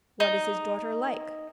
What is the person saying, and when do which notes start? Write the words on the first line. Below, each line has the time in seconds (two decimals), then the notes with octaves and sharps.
"What is his daughter like?"
0.20 D#4